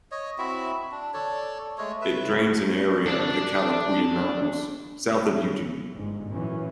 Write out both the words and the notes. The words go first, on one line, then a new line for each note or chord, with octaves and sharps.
It drains an area of the Calapooya Mountains south of Eugene.
C#5 D#5
C4 E4 F#4 E5
D4
A4 C#5 D5
G#3 A3 C#5
B4 E5
D4 A5
G1 G#2
F#2 A#2 E3 F#3 C#4